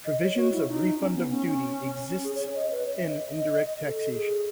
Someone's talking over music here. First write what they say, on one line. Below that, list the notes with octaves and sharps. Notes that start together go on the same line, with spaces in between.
Provisions of refund of duty exists in indirect taxation.
D#5
C#5
F#4
E4
D#4
C#4
B3
C#4
C#4
G#4
C#5
C#5
D#5
B4
C#5
E5
D#5
A4
G#4